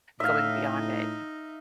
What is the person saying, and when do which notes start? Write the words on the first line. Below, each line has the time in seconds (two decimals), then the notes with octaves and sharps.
going beyond it.
0.20 A2 D#4 E5 F5